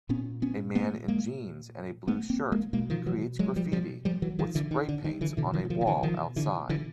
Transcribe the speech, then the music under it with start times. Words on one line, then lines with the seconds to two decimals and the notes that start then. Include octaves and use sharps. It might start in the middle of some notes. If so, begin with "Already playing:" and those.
A man in jeans and a blue shirt creates graffiti with spray paints on a wall outside.
0.09 A#2 B3 C#4
0.42 B3 C#4
0.75 A3 B3
1.08 G#3 A#3
2.08 A3 B3
2.30 A#3 C4
2.52 G#3 A#3
2.73 B2 G#3 A#3
2.90 D#3 F3
3.06 E3 F#3
3.39 F#3 G#3
3.56 F3 G3
3.72 F3 G3
4.05 F3 G3
4.22 E3 F#3
4.39 D#3 F3
4.55 D3 E3
4.71 D#3
4.89 D3
5.04 D#3
5.21 D3 E3
5.37 B2 D3 E3
5.54 D#3 F3
5.65 F#3
5.70 D#3 F3
5.81 D#3
5.87 D3 E3
6.03 D#3 F3
6.36 D3 E3
6.69 D3 E3